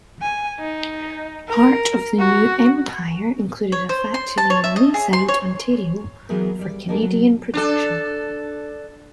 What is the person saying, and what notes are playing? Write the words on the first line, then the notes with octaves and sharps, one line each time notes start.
Part of the new empire included a factory in Leaside, Ontario, for Canadian production.
G#5
D#4
A#4
F#4
C#5
C5
C6
A5
C#5
E5
D#5
G#4
C6
C#5
E3 F#3 B3 G#4 A#4 B4
G3 D5
D#3 A#3 D4 D#4 G#4 A#4
F#3
D4 A4